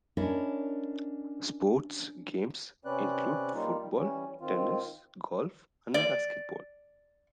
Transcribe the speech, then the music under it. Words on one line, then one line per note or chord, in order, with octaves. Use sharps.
Sports games include Football, Tennis, Golf and Basketball.
C#4 D4 E4 A#4 C#5 D#5
C3 C4 C#4 B4 D5 F#6
G3 A#3 D#4 F4
G3
E3 G3 C#4
D#3 C4 F4
D5